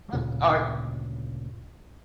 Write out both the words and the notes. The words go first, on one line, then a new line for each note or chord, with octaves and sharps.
Well, I
D2 G2 A#2 C#3